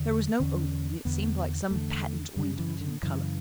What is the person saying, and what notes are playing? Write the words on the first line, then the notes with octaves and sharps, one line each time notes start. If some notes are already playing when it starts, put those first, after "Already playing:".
There was no odor and it seemed like some patent ointment in color.
Already playing: E2 D3
E2 D3 C#4
E2 D3 B3
E2 D3 A3
F#2 C#3 G3
E3
D3
F#2 C#3 E3